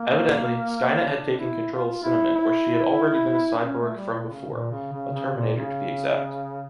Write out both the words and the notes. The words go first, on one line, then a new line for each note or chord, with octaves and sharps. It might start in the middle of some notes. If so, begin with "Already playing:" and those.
Evidently, Skynet had taken control of Cinnamon or she had already been a cyborg from before, a terminator to be exact.
Already playing: A#3
D4
E4
F4
E4
E4
D4
C#4
A3
G3
A#2
C#3
A#2
C#3
C#3
C#3
A#2
C#3